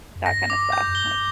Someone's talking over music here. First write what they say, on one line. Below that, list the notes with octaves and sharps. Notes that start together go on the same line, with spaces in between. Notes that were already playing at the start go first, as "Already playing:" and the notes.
that kinda stuff, like
F2
G2 A#6
D6
G6
F2
G2 G7